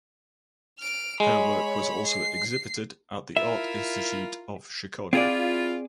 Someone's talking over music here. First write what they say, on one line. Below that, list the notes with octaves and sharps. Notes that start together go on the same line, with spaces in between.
Her work was also exhibited at the Art Institute of Chicago.
F6 D7
G#3 C#5 B5
C7
E4 F4 A#4 E5
C4 E4 F4 G#4 D5